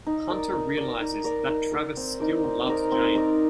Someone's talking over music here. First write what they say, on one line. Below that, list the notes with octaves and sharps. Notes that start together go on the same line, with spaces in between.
Hunter realizes that Travis still loves Jane.
D#4
A#4 D5
D#4
A#4 D5
D#4
A#4 D5
D#4
A#4 D5
C4
D#4 A#4 D5
C4
D#4 A#4 D5
C4
D#4 A#4 D5